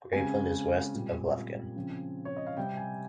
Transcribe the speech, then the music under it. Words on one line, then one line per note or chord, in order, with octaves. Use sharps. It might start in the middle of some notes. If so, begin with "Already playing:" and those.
Grapeland is west of Lufkin.
C#3 G#3 C4 G#5
A#2 G3 C4
C#3 F3 C4
C#5
D#5
F5
C3 G3 C4 G5
G#5